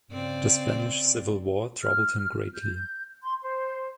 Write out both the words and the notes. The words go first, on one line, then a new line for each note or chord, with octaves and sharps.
The Spanish Civil War troubled him greatly.
C#3 C4 D5
F6
G6
C6
C5